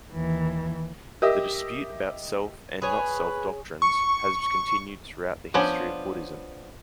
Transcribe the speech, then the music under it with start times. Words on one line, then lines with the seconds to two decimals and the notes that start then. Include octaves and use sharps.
The dispute about "self" and "not-self" doctrines has continued throughout the history of Buddhism.
0.13 D#2 E3
1.22 G4 A#4 D#5 E5
2.82 G#4 B4 C#5
3.82 C#6
5.54 F3 B3 C#4 D4 C5